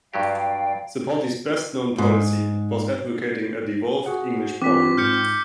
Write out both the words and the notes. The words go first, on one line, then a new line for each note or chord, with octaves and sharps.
The party's best known policy was advocating a devolved English parliament.
G2 F#3 G4 D5 F5 G5
G#2
F#4 G#4 F#5
E3 C4 F4 D6 B6
G#2 F6 G6 C#7